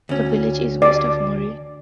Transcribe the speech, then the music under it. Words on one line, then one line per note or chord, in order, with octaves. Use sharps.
The village is west of Muri.
D2 C#4
D5